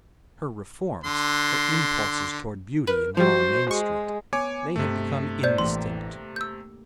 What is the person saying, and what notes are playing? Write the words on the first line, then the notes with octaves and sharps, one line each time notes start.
Her "reforms," her impulses toward beauty in raw Main Street, they had become indistinct.
D3 C6
A#4 B4
F3 G3 F#4 C5
G#3 C#6
B3 C#5 G#5 D6
G2 C3 A3 D#5 D7
C5 D5 G6
A1 A#3 G4 C6
A#6
E6 G6